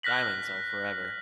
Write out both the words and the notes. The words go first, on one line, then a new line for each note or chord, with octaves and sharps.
Diamonds are forever.
F6 F#6 A#6 B6 F#7